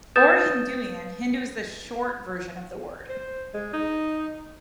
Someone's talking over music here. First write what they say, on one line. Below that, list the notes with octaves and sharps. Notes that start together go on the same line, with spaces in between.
Or Hinduian, Hindu is the short version of the word.
B4 D#6 G6 A6 E7
C5
G#3
D#4